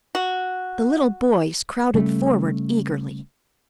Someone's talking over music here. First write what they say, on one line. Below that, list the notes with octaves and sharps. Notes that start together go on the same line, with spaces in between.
The little boys crowded forward eagerly.
F#4
C#3 G3 A3 C#4